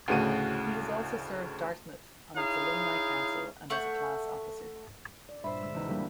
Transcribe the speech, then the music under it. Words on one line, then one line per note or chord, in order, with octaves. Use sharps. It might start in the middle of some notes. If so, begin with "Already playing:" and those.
He has also served Dartmouth on its Alumni Council and as a class officer.
D2 A2 C#3 F#4 D#7
D#4 E4 G#4 C#5 F5
A3 F#5 C#6 G6
D5
G2 A#2 C5 E5 B5
D3 G#3 E6
E1 C#3 D#4
G3 A#3 D4